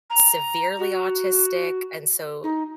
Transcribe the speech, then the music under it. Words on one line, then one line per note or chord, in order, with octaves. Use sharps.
severely autistic, and so,
A#5
F#4
D#4